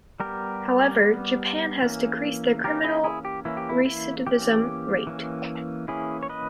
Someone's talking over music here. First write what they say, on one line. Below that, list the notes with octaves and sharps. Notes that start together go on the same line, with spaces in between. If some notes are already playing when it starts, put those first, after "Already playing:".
However, Japan has decreased their criminal recidivism rate.
G3 B3 G4 A#4
G3 B3
E3 A#3 C#4
E3 A#3 C#4 G4 A#4
E4 G#4
E4 G#4
G4
E3 A#3 C#4 E4
G4
E4
E4
E3 A#3 C#4 G4
E3 A#3 C#4
E3 A#3 C#4 E4 G#4
C#5
B4 D#5